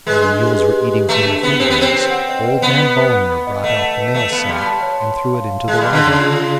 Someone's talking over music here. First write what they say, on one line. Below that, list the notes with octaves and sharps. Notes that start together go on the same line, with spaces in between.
While the mules were eating from their feed bags old man Ballinger brought out the mail sack and threw it into the wagon.
G#3 B4
D4
G4
B4
G4
G4
A3 B4
D4
B3 B4
C4 G4
B3
C4 G4
B4
F#5
D#5
B4
B3 F#5
B4
B4
F#5
B5
D#5
A3 F#5
F#5
B4
A3 A5
B3 F5
G3 C6
A5
C#5
C6
C6
F5
F5
G#3 A5
G3 C6
D3
C#3 C6
F4
F5